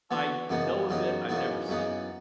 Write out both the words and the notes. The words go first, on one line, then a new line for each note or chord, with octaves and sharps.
I know of it. I've never seen it.
E3 B3 F#4
F#2 C#3 E3 B3 D#4
F#2 C#3 E3 B3 D#4
F#2 C#3 E3 B3 D#4
F#2 C#3 E3 B3 D#4